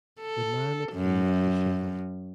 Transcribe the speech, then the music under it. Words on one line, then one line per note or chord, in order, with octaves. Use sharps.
The man appeared dishevelled.
A4
F#2